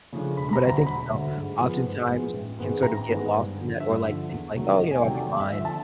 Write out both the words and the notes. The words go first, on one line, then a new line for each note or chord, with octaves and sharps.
but I think, you know, oftentimes we can sort of get lost in that, or like think like, "Oh, you know, I'll be fine,
C#3 F3 A3 D4
E1 B5
B5
A#5
D2 D3 F#3
A#5
E1 B5
D2 D3 F#3
G#2
F3 G#3 B3
G#2
F3 G#3 B3
A1
G#2 D#3 G#3 B3
A1 A#5
G#2 D#3 G#3 B3
G2
D3 F3
G2 E5
D3 F3
E2
C3 D#3 F#3 A3
E2 D#5
G#5
C3 D#3 F#3 A3 G5
D5
D#2
E5
D3 F3 E5
A5